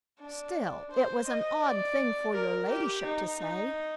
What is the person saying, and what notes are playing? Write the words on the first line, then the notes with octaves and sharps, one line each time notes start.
"Still, it was an odd thing for your ladyship to say."
D4
C5
D#5
D5
A#4
G4
D#4
D#4